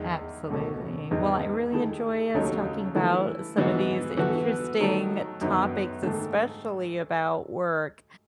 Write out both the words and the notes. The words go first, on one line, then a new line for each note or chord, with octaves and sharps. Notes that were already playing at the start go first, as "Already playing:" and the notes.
Absolutely. Well, I really enjoy us talking about some of these interesting topics, especially about work,
Already playing: E2 D#3 G#3
C#2 B2 A3 C#4
E2 D#3 G#3 B3 D#4
D#3 A3 E4 G#4
D#2 C#3 F#3 A3 D#4
E3 A3 E4
G#2 E3 G#3 B3 F#4
E3 B3 F#4 A4
D#3 F#3 A3
F#2 D#3 F#3 B3
G#2 D#3 A3